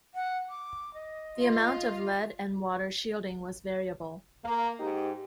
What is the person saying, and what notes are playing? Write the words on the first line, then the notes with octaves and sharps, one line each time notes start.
The amount of lead and water shielding was variable.
F#5
D6
D#5
F4
A#3
G#2 D#4 G4